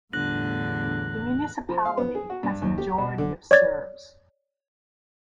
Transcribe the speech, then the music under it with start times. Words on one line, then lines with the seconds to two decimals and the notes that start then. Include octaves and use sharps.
The municipality has a majority of Serbs.
0.13 G1 E2 A2 D3 F#6 A#6 F#7
1.69 F3
1.85 F5
1.97 B3
2.15 G#4
2.30 F#4
2.43 G2
2.62 D#2
2.78 G4
2.98 B2
3.18 D3
3.51 C#5 D5 G#6 A6